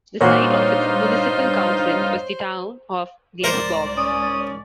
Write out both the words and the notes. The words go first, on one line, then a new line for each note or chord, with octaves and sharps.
The site of its municipal-council was the town of Glesborg.
G2 A#2 A#3 D#4 F4 F#4 C5 C#5
C2 G#2 A#4 C5 D5
C#4 D#6